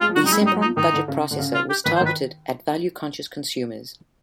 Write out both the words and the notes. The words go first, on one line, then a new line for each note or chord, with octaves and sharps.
The Sempron budget processor was targeted at value-conscious consumers.
G#3 F4
F3
F#3 F#4
G3 D#4
G#3 E4
G3
D#4
F#3
F3 D#4
D#3 D#4
D3
C#3
D3
C#3
F4
G4
D#3 B4
C5
D#3
B4